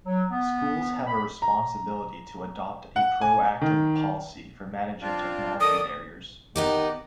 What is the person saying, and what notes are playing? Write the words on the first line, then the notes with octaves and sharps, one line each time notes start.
Schools have a responsibility to adopt a proactive policy for managing technology barriers.
F#3
B3
B5
A#5
F#5
G#5
D#3
C4 D4 F4
D#3 A4 D5 D#6
D#3 B3 D#4 G4